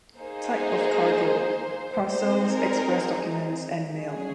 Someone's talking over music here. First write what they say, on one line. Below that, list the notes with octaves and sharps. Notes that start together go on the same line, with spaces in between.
Type of cargo: parcels, express documents and mail.
A#3 D#4 G#4 C5
C4 D#4 G#4 C5
A#4
C#4 G#4